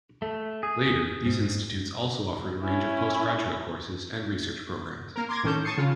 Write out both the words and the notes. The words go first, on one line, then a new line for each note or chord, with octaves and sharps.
Later, these institutes also offered a range of postgraduate courses and research programs.
A3
G#4
G#2
C#4 E4
A#3 A#4
C6 D6 G#6 A#6
A2 D#3 C#4 A4 G6
A5 C#6 D#6 C7 C#7
C#3 F4